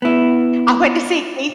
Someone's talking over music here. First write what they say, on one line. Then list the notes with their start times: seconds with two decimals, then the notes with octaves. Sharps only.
I went to see Keith
0.02 B3 E4